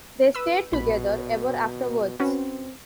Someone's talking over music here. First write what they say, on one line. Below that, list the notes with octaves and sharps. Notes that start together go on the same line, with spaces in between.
They stayed together ever afterwards.
B4 E6
A#1 B2 B5
C4 C#4 F#4 B4